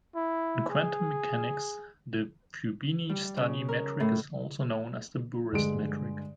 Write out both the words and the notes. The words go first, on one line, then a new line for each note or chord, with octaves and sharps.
In quantum mechanics, the Fubini-Study metric is also known as the Bures metric.
E4
G#4
G3
C#3
A#4
A2
G2 D3 G#3 D7